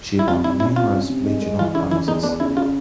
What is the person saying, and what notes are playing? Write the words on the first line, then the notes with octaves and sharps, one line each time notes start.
She won numerous regional prizes.
E4
C3 F4
C3 E4
C#4 E4
C3 F4
C#4
C3
G#3
G#3
E3 F4
C#3 E4
E3 E4
E2 D#4
E2 D4
C#3 E4
C#3 F4